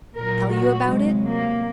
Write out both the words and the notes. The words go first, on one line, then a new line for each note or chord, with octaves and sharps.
Tell you about it?
A#2 F#3 A#4
F#4
C3 F#3 G#3
A#3